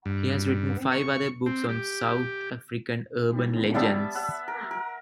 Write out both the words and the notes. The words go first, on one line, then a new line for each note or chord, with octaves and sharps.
He has written five other books on South African urban legends.
G2
C#6
C4
G4
G3 B3 E5 A5
E5 F#5
A#4
A#4